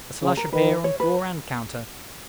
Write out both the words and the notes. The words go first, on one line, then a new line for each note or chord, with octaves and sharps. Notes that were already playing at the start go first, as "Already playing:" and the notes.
A slush of beer on floor and counter.
C#3
A#4
D#3 B4
C#5
B4